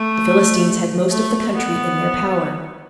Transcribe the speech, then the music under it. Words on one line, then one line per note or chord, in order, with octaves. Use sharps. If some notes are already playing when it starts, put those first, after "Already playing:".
The Philistines had most of the country in their power.
Already playing: A3
A3
B3